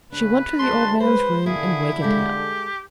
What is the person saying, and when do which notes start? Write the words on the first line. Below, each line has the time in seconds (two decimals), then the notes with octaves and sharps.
She went to the old man's room and wakened him.
0.12 C#3 D4 B4
0.59 D2 G#3 A5 C6
1.00 G#3 B4 C5
1.46 D3 A#3 E4 G#4
2.02 G#3 G4 A4 F5